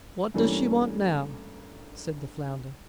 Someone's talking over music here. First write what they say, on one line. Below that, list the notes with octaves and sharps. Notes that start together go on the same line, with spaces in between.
"What does she want now?" said the flounder.
G2 E3 G3 A3 A#3 C#4